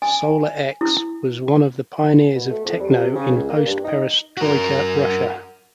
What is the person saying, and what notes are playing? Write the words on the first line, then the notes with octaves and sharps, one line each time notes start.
SolarX was one of the pioneers of techno in post-Perestroika Russia.
G#5
E4
B2
A3
F2
G3
C3
C#3
C#2
A#3
G2
D#4
F#4 A#4